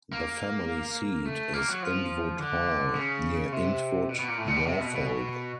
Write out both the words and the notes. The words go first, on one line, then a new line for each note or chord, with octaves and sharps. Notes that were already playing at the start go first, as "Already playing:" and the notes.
The family seat is Intwood Hall, near Intwood, Norfolk.
A#3
A3
A#3
F#3
F3
D3
C#3
C3
B2
B2
A#2
A2
A#2
B2
C3
B2
B2